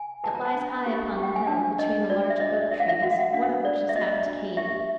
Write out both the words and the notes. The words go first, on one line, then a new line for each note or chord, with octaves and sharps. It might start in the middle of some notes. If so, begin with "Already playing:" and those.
It lies high upon the hill, between the large oak-trees, one of which is half decayed.
Already playing: G#5
B4 A5
A#5
A5
D4
G4
G4
G5
G#5
D4 A5
D4 D#5
F#4 D5
E5
D4 D#5
A#4 E5
F5
E5
F#4 F#5
F5
F#5
D4 F5
D4 D5
E5
F#4 D#5
D4
G4 E5